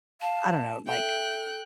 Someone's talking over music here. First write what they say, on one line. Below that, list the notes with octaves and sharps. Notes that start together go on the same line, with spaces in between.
I don't know, like,
F5 A5
A4 E5 G5 F#6